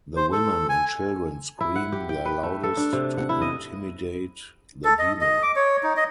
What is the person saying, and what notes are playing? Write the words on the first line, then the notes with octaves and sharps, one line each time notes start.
The women and children scream their loudest to intimidate the demon.
C5
A4
G#5
E4
F#5
G4
G5
B4
A3
A4
D4
C3
F#5
E4
D#5
A4
D#5
D#5
D6
C#5
D#4
D#5